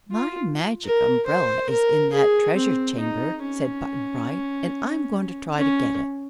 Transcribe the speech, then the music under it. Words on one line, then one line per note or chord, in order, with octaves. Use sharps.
"My Magic Umbrella is in that Treasure Chamber," said Button-Bright, "and I'm going to try to get it."
F4
A#4
C5
A#4
G#4
C4
D#4
C#4
C#4